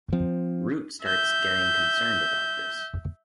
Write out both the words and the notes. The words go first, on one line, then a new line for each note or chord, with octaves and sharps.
Root starts getting concerned about this.
F3 C4
E5 G6